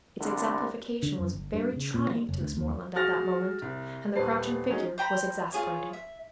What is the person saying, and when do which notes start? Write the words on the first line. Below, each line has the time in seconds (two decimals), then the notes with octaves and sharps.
Its exemplification was very trying to Miss Moreland at that moment, and the crouching figure was exasperating.
0.19 C2 D3
1.03 D3
1.18 F#2
1.33 G1
1.53 G2
1.76 C#3
1.94 A#2
2.11 A#3
2.29 F#1
2.40 D2
2.57 D#2
2.96 F#4 G#4 F6 A6 A#6 F7
3.62 C2
4.16 D#1 G3 B4 A5 C7
4.70 F#3 C#4 D#4 G#4
4.98 C5 G5 A#5 B5
5.52 F4 G#4 C#5
5.93 E5